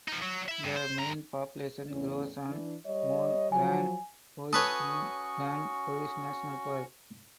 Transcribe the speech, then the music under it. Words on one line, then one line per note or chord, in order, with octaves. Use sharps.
The main population grows on Morne Grand Bois in Grand Bois National Park.
F3 D#4
F#3
E5 B5
G2
C5
G2 A#5
E2 A2 C#4
E3 D4
G3 C#5 D#5
F3 F#3 G#5
C#4 F#4 A4 B4 C#5 C#6 D#6